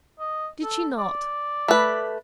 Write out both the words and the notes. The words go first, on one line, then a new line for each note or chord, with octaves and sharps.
Did she not?
D#5
A4
D5
A3 B4